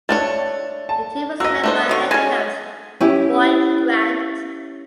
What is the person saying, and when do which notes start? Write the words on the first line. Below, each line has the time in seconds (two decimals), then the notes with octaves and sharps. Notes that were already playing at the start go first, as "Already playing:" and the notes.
The team was led by head coach Boyd Grant.
0.09 A3 D4 C#5 A6
0.89 A5
1.40 A#3 F#4 D#5 E6 A#6
1.64 A3 D4 C5
1.89 B2 D3 D#4 C#6
2.11 G#3 C#4 F#4 G#5 A5
3.01 C#4 E4 G4